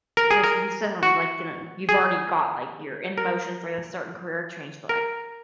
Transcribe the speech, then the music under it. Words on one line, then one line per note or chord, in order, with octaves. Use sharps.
you know s you still haven't, like, you know, you've already got, like you're in motion for this certain career change, but, like
A#4
G#4
A#4
F#4
G#4
A#4
A#4